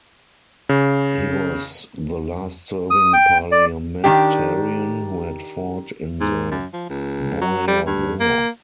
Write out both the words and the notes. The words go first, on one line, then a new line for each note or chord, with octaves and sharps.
He was the last serving parliamentarian who had fought in the Boer War.
C#3
D#6
G5
D5
D#3 D4 G4
G#2
F#2
F3
C#2
F#3
G3
G2
A#3